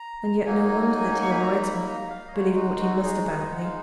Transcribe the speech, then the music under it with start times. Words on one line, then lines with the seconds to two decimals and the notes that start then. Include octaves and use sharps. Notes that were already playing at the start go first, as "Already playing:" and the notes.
And yet no wonder that he avoids me, believing what he must about me.'
Already playing: A#5
0.45 F#3 A#3 D#4 G#5
1.22 C#6
1.31 B5
1.39 A#5
1.63 B5
1.87 A#5
2.10 F5
2.28 D#5
2.33 G#3 D#4 F#4 C#5
2.57 F#4
2.82 F#4
3.04 G#4
3.28 B4
3.40 D#5
3.52 F#5
3.64 F5